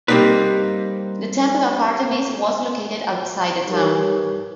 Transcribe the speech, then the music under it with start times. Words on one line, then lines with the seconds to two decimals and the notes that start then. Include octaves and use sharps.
The temple of Artemis was located outside the town.
0.08 G3 A#3 C4 D#4 B4
3.65 G3 D#4 G4 A#4 B4 C#5